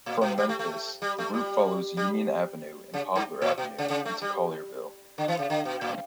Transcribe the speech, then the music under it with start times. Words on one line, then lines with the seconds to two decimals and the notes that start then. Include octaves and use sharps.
From Memphis, the route follows Union Avenue and Poplar Avenue into Collierville.
0.06 A2
0.21 B2
0.38 G3
0.49 A3
0.59 A3
1.02 G3
1.18 A3
1.34 G3
1.97 G3
2.94 C#3
3.15 G2
3.42 A2
3.58 B2
3.78 C#3
3.90 C#3
4.05 A3
4.22 G3
5.18 D3
5.28 E3
5.39 C#3
5.50 D3
5.65 B2
5.81 A2